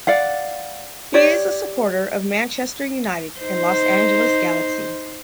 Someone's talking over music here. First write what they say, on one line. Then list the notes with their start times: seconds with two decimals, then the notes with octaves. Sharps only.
He is a supporter of Manchester United and Los Angeles Galaxy.
0.07 D5 F5 F#5
1.14 G4 C#5 D5
3.40 D#4 C5